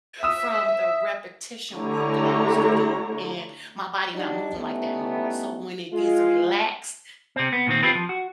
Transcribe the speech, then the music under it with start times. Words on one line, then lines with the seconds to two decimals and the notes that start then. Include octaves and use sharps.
from the repetition work that I used to do and my body not moving, like, that no more so when it gets relaxed,
0.23 E5 D#6 E6 E7
1.75 D3 A3 E4 G4 C#5 A#5
4.14 F#3 G3 D4 D#4
4.56 E3 G3 A3 B3 C#4 D#4
5.91 G#3 F4
7.36 C3 C4
7.53 B3
7.67 A#2 D#3 C4
7.83 C4 F4 G4 B4
7.95 F3
8.09 F#4